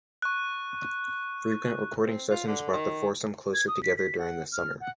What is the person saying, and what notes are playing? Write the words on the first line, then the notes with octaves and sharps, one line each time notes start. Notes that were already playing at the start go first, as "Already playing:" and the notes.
Frequent recording sessions brought the foursome closer together during the summer.
C#6 F#6
C4
F4
D3
D#3
G#6
D#6
B6
B6
F#5
F6
F#5